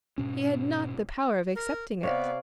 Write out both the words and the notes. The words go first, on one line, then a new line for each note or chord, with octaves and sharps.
He had not the power of accepting it.
G#2 B2 C#4
A#4
C3 B3 C#5 D5 F5